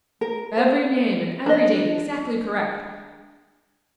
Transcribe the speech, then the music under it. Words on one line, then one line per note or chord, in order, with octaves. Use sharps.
Every name and every date exactly correct.
A#4
C5
D4 D#5